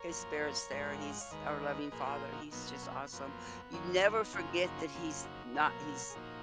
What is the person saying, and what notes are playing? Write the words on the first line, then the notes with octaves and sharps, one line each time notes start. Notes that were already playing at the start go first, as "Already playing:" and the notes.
his spirits there He's our loving Father, he's just awesome. You never forget that He's not He's
Already playing: A#4 C#5
F#2 F3 A#3
D#5
A#4 C#5
G#2 F3 G#3
F#5
C#5 F5
D#5 F#5
C#5 F5
D#2 D#3 G#3 B4 D#5
A#2 F3 A#3 G#4 B4
F#4
F4 G#4
D#4 F#4
B2 F#3 A#3 B3 D#4
B3
A#3 C#4
B3
B3
F#2 F3 A#3 B3
B3
F#2 D#3 F#3 A#3 C#4
D#4
F4
B3 D#4
F#2 C#3 F3 A#3 C#4 F4
D#4 F#4
D#4 F#4
C#4 F4
F2 C#3 F#3 A#3
D#4 F#4
B2 F#3 A#3 A#4 C#5
G#4
A#2 F3 A#3 D#4 F#4